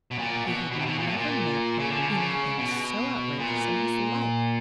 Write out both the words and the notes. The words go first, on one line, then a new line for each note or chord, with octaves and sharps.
He had never met with anything so outrageous in his life.
B2
A#2
B2
B2
C3
B2
A#2
A2
A#2
C#3
D3
C#3
D3
C#3
B2
A#2